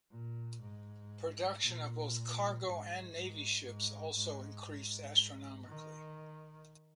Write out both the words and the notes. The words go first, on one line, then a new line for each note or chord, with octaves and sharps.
Production of both cargo and Navy ships also increased astronomically.
A#2
G#2
A#2
G#2
G#2
G#2
G#2
G#2
D#3